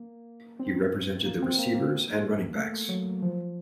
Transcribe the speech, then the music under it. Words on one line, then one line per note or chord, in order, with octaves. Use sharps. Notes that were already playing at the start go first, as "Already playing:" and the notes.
He represented the receivers and running backs.
Already playing: A#3
C4
A#3
C4
A#3
A#3
A3
F#3
F3